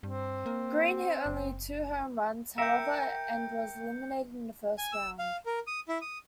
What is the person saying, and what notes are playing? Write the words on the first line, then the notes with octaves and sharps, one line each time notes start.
Green hit only two home runs, however, and was eliminated in the first round.
G2 C4
A#3
F#1
A#4 E5 G5 G6 C#7
G#5
E6
F5
A#4
D#6
E4
D#6